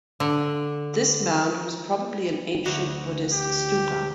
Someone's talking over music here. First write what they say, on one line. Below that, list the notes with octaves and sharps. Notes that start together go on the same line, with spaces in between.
This mound was probably an ancient Buddhist stupa.
D3
D2 F#4
G4